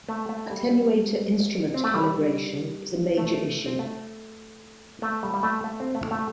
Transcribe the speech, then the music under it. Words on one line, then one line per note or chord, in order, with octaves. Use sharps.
Attenuator instrument calibration is a major issue.
A3
A3
G3
G3
C4
A3
G3
A3
C4
A3
A3
G3
G3
A3
A3
C4
A3
A3